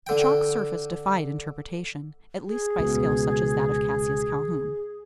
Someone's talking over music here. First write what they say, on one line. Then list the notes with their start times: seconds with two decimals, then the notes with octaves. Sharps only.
The chalk surface defied interpretation--at least by skill such as that of Cassius Calhoun.
0.07 D3 G5
2.47 G#4
2.79 C#2 B2